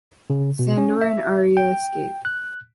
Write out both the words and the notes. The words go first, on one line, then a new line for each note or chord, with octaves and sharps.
Sandor and Arya escape.
C#3
B2
C#4
E5
G5
F#6